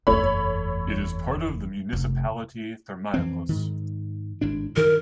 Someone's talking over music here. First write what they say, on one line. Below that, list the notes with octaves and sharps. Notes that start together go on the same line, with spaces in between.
It is part of the municipality Thermaikos.
F#1 E2 A3 C#5 B5
F1
F2 E3 C4
G#2 D#3
G#1 A2 D4
G2 D#3 A#4